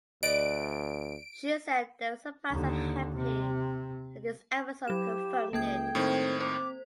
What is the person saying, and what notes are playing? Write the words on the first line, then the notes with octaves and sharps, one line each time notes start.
She said they were surprised and happy that this episode confirmed it.
D2 B4 D5 D#5 D7
D#2 D3
C3
F#3 G4 E7
C#2 A#3 A4 G5 G#6
A2 D#3 C4
C4 C5 D6